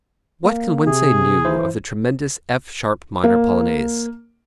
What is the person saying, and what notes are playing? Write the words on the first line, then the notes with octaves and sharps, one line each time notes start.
What can one say new of the tremendous F sharp minor Polonaise?
A#3
C3 G#4
E3 E4 C5
A#3